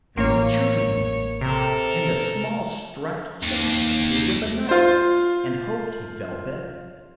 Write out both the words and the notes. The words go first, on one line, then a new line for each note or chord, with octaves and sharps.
There was a chirpy noise, and a small striped Chipmunk appeared with a night light, and hoped he felt better?
A1 A#3 C#5
C3 A4 A#4
D#2
F4 C5